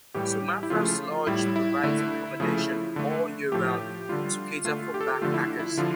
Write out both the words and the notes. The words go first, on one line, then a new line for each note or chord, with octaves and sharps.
Maffra Lodge provides accommodation all year round to cater for backpackers.
A2 E3 G3 G4
E4
C#3 F3 A3 F4
A2 G3 E4
E4
D3 A3 E4
C#3 F3 A3
D3 A3
A2 F3 A3 G4
D3 G3 F4
D3 A3 F4
G4
A4
G4
D3 F3 A3 F4
E4
E4
D3 F3 F4